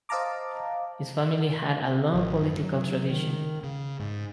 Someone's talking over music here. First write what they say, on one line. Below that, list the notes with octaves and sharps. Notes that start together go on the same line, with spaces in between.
His family had a long political tradition.
C5 D#5 F5 A5 A#5 D6
A1
F#2
F#3
D#3
C#3
G#2